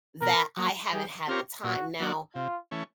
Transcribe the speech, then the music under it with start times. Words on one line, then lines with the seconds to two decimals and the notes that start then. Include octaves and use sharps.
that I haven't had the time. Now
0.21 B2 A#4
0.57 F#3 A#3
0.92 G3 G#4
1.28 C4 F4 G4 A#4 C#5
1.64 A#2 F#4
2.00 F#3 A#3 D4 F#4
2.35 C3 F4
2.71 E3 A3 C#4